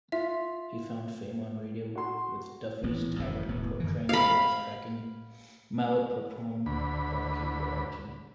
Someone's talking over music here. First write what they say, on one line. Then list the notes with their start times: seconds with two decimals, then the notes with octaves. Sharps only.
He found fame on radio with "Duffy's Tavern", portraying the wisecracking, malaprop-prone barkeeper Archie.
0.12 F4 E5
1.95 F#4 C6
2.83 A1 E3 B3
3.19 G#1 F#2 C3 E3
3.48 D#1 A2 B3
3.80 F#2 D#3 E3
4.09 F5 B5
6.66 D2 B5